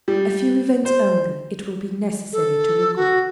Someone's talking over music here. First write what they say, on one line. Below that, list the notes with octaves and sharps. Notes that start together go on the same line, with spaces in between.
A few events only it will be necessary to record.
G3
C5
A4
F#4